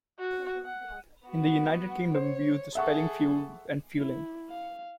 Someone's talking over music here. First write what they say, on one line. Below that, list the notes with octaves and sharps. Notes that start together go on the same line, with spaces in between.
In the United Kingdom we use the spellings fuelled and fuelling.
F#4
F#5
B3 F#4
C5 C#5
G#4 A4 E5 F#5 C#6
E4
F5